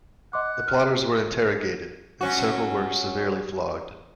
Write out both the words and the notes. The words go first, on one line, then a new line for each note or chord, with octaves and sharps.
The plotters were interrogated, and several were severely flogged.
D#5 F#5 C6 D6
F6
F#3 C#4 F#4